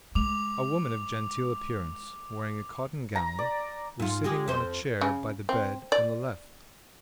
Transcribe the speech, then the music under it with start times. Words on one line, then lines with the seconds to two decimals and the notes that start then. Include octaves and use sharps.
A woman of genteel appearance, wearing a cotton gown, was sitting on a chair by the bed on the left.
0.15 G#3 D6 F7
3.16 A#5
3.39 D5
4.00 G#2 F4
4.24 G#3 G4 G#4
4.48 F2 C5
5.01 C#3
5.49 C4
5.92 D5